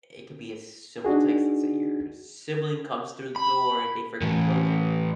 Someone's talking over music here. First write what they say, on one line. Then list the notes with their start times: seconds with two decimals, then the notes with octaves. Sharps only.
it could be a simple text, let's say your sibling comes through the door and they forget to close it,
1.05 D4 D#4 F#4 G#4
3.36 B5
4.22 A2 E3